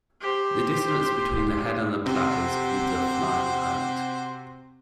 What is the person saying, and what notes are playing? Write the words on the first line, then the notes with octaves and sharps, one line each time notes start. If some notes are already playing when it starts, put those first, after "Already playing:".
The distance between the head and platter is called the flying height.
G4 C5
C3 F#4 G4 C5